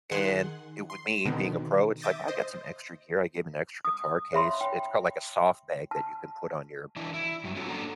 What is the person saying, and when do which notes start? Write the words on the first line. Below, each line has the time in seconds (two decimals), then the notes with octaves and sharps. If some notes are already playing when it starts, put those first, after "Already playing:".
and it would me, being a pro, it's like, I got some extra gear. I gave him an extra guitar case. It's called like a soft bag that you can put on your
0.11 D#3 G#4 F#5 G#5 C6
0.90 C6
1.25 B2 D3 D#3 B3 C4
2.02 E5 D6 D#6 G6 A6 A#6
2.28 C5 D#5
3.85 D#6
4.33 C#5 E5 B5 C6
4.61 G5
5.91 A5
6.96 E3 D4 E4
7.14 E4
7.44 G2 F#3
7.56 C#4 F4 F#4 A4 C#5 F#5
7.68 A#3 D4 A4 F#5 A#5